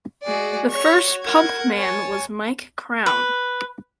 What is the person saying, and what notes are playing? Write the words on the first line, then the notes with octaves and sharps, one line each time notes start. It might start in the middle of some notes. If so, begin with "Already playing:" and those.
The first pumpman was Mike Crown.
G#3 F#4 G#4 D5
F#4 C#5 C#6
A#4 F#5 G#6
C#5 G#5 A5
B4